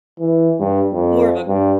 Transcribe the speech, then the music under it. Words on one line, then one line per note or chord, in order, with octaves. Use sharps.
more of a
E3
G2
F2
G2